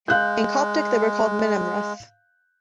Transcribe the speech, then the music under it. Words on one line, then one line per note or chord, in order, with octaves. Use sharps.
In Coptic, they were called "Minamref".
G#3 F5 F#6 G6